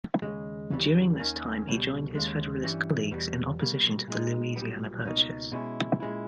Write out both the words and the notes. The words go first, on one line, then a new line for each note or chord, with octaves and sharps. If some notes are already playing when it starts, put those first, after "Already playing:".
During this time he joined his Federalist colleagues in opposition to the Louisiana Purchase.
D#2 C#3 G#3
D#2 C#3 E3 G3
D#2 D#3 A#3 C#4
C#2 B2 G3
D#2 C#3 G#3
G2 E3 G3 C#4
E2 B2 G3 B3
B2 G3 A#3
A#2 G#3 D#4
B1 A#2 G3 B3
C#2 B2 A#3 D#4
B2 G#3 C#4 E4
A#2 G#3 C#4 E4